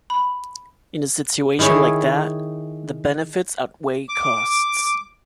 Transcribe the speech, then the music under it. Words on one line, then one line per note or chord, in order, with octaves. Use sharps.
In a situation like that, the benefits outweigh costs.
B5
D#3 E4 G#4 C#5
D6